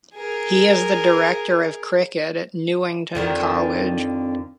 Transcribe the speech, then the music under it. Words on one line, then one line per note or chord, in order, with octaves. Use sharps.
He is the Director of Cricket at Newington College.
G#4 A#4
F2 D3 D#3